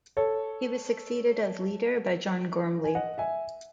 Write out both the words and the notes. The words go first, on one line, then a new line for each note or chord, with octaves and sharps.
He was succeeded as leader by John Gormley.
A4 C#5
G#5
D#5 F#5
E5 G#5